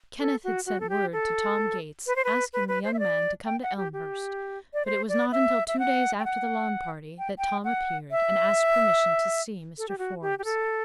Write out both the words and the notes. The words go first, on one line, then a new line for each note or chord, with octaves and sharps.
Kenneth had sent word to Tom Gates, asking the young man to come to Elmhurst, but it was not until two days after the lawn party that Tom appeared and asked permission to see Mr. Forbes.
A4
F#4
F#4
A4
G4
A4
B4
C5
B4
B4
B4
C5
E5
D5
G5
F#5
G4
G4
D5
C5
D5
E5
E5
F#5
G5
F#5
G5
G5
F#5
E5
A4
G4
F#4
G4
G4
A4